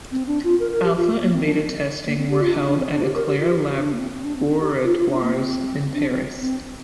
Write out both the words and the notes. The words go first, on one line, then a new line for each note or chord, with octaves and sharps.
Alpha and beta testing were held at Eclair Laboratoires in Paris.
C4
D4
F4
A#4
A#4
G4
F4
A#3
C4
D4
A#3
C4
G4
F4
D4
D4
C4
D4
G4
A#4
G4
F4
G4
D4
A#3
C4
C4
D4
C4
D4
G4
F4
F4
D4
A#3
C4
D4
C4
C4